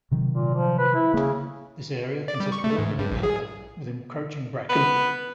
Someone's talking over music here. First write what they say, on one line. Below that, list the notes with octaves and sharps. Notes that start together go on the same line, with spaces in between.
This area consists predominately of heather with encroaching bracken.
C3 D#3 F#3
A#2
F3
B4
E4
C#3 A#3
D5
G3
C#6
A3
G#2
G2
A#1
G#4
B3